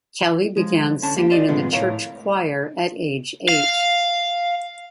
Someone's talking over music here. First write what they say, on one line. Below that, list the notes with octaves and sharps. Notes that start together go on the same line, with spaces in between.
Kelly began singing in the church choir at age eight.
F3 G#3
D3 C#4 A5
A#3 G4
F4 D5 D#5
A2 C3 D#3 F3 G#3 B3
A2 A#4 C#5 F5
F5